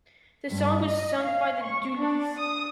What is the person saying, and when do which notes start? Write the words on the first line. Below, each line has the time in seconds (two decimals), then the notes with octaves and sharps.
The song was sung by The Dooleys.
0.50 G2
0.84 D#5
1.20 F5
1.62 C#6
1.99 D4
2.38 D#6